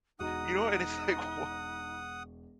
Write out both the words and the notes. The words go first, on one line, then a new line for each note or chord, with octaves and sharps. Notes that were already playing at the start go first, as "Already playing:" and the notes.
You know, and it's like, wha
E1 D#4 F#4 F#5 D#6 D#7